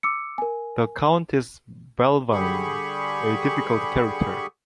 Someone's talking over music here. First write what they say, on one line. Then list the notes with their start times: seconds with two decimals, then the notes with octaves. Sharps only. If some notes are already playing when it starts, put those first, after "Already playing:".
The Countess Belvane: A difficult character.
0.03 D6 E6 C#7
0.38 A#4 G#5
2.32 D3 G3 G4 G#4 B5 C#6